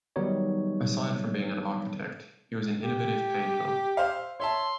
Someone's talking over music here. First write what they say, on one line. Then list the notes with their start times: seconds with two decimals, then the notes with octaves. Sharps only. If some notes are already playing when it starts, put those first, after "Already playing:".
Aside from being an architect, he was an innovative painter.
0.16 D#3 F#3 G3 B3 D#4 C#5
2.82 G4
3.97 C5 E5 F5
4.40 C#5 E5 A5 C6